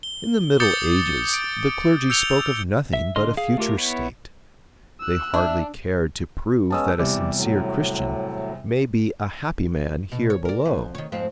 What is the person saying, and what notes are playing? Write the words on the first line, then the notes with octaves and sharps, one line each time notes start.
In the Middle Ages the clergy spoke of nothing but a future state; they hardly cared to prove that a sincere Christian may be a happy man here below.
G7
D6 D#6 G6 A6 C#7 G7
D7
E6 G6 C#7 F7 G7
E5
D3 D#5 C6 F6
G#4 F5
A3 F4 G4 A#4
B3 E4 C#5
E6 F#6
D4 E5
G#3 B3 C#4 A5 D#6 E6
E2 C3 G3 D5
A2 F#3
B2
C#5
A#4 D5
F2
D#3 C#5
F2 G#2 C4